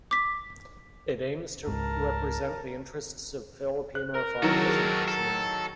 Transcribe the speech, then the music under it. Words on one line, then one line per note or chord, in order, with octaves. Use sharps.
It aims to represent the interest of Filipino farmers and fishermen.
D6 B6
C#2 G#2 A#4 A5
C5 F#6
A#4 A#5
D#3 F#3 D#4 E4 F#4 A4
G#4 B4 C5
A4 B4